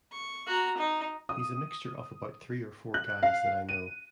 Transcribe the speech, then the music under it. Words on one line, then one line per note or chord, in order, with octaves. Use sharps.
He's a mixture of about three or four guys that I know...
C#6
F#4 A#5
D#4
D#6
F#6
F5
D#7